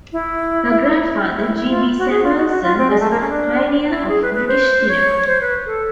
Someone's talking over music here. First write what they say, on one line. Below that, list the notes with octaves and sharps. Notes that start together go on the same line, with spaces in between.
Her grandfather, G. B. Samuelson, was a pioneer of British cinema.
E4
E4
F4
F#4
G#4
F4
F#4
F#4
F4
C4
G#3
A3
A#3
C#4
D4
E4
G#4
B4
B4
C5
C#5
C5
B4
A4